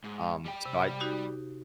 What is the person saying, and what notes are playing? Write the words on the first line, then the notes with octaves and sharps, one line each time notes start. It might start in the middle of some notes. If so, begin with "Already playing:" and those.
um, so I
G#2
G3 G5
C3
D#4 F#4 G4